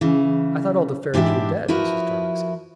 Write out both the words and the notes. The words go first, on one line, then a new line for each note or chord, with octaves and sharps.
"I thought all the fairies were dead," Mrs. Darling said.
C#3 E3
G#2 E3 D4 G4 E5
F3 E4 F#4 A#4 B4